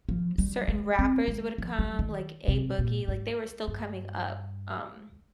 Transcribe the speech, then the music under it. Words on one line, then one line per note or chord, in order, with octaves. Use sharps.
certain rappers would come, like A-Boogie, like, they were still coming up, um,
F3
G3
G#3
C4
G#3
F3
G3
D#3
C3
A#2
G#2
G2